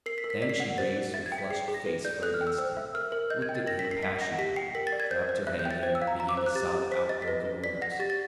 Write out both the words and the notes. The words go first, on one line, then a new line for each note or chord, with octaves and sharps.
Then she raised her flushed face for an instant, looked at him passionately, dropped her head again and began to sob out broken words.
A#4 C7
B6
A#4
B6
D5 B6
C7
F#5 B6
C5 A6
C5
E5 A6
G#6
G5
B6
G#4 C7
G#4
A#6
B4
D5 G6
A4 F#6
F6
G5
E6
C5 E6
E5
A#4 F6
A#4
D#5 G6
G#6
G5
A6
A#4 A#6
B6
A#4
C7
D#5 B6
F#5 A#6
G4 B6
G5 C7
A#4 B6
A6
D5
G#6
C5 G6
C5
E5 F#6
G6
G5
A6
C5 G#6
E6
F5
A#5
F5 A#5
D6
C5
F#6
G4 A6
G4
C5 B6
D#5 A6
B6
B4 A#6
B4
D5 B6
F#5 A#6
G4 A6
A6